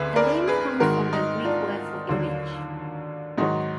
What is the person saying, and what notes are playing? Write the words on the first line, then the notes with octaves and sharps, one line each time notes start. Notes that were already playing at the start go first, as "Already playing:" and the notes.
The name comes from the Greek word for "image".
Already playing: D2 D3 G#4 B4
A#4 D5
G#4 B4
G#2 D#3 G#3 F#4 A#4
D#4
D4 F4
D#2 D3 F#3
G#2 D#3 F#3 D#4 F#4